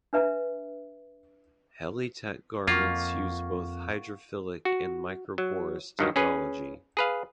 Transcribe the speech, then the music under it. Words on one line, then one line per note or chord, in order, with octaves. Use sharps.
Helly Tech garments use both hydrophilic and microporous technology.
D4 B4 E5 A#5
F2 A#3 F4 F5 F#5 C#6
F#4
F#3
G2 D#3 F#3
C#4 G#4 B4
G#4 B4 F5